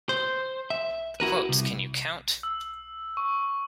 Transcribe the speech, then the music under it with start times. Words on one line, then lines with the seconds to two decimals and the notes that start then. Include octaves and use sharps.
The quotes, can you count?
0.09 C5
0.70 E5
1.20 E4 F#4 A#4 B4
1.49 C2
2.43 E6
3.17 C#6